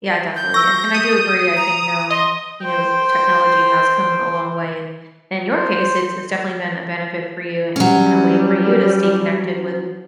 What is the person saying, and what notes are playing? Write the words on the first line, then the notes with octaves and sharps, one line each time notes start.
Yeah, definitely, and and I do agree I think, um, you know, technology has come a long way, and in your case, it's it's definitely been a benefit for you in in a way for you to stay connected with,
G6
C#6 E6 A#6
D#6
A#5
D#5 C6
C5 G5
C5
F#3 G3 C#4